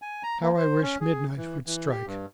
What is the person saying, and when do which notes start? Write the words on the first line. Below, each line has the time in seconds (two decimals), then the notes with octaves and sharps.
"How I wish midnight would strike!"
0.02 G#5
0.23 A#5
0.41 A#3
0.57 C5
0.82 C#4
1.01 G#4
1.37 E3
1.66 E3
1.91 G4
2.07 G2